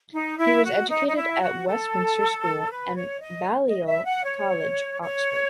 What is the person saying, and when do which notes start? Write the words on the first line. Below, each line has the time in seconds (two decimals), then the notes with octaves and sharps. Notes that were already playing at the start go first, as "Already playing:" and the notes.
He was educated at Westminster School and Balliol College, Oxford.
0.13 D#4
0.38 E4
0.64 F#4
0.90 D#4
1.06 D#4
1.16 E4
1.42 F#4
1.67 A4
2.70 B4
2.96 C#5
3.21 D#5
3.67 D#5
3.86 E5
4.05 F#5
4.24 C#5
5.01 C#5